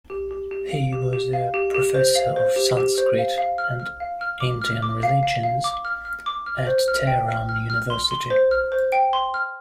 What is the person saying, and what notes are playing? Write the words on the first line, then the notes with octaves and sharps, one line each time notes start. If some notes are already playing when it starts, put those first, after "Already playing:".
He was a Professor of Sanskrit and Indian religions at Tehran University.
G4
G4
G4
F5
G4
G4
F5
G4
G4
C5
F5
C5
G4
G4
C5
F5
F5
F6
F6
F5
F6
D6
F6
D6
F5
F5
F5
D6
F6
F6
D6
F6
C5
F6
G5
F6
F6
F6
C6
C6
C5
F6
C5
G5
C6
F6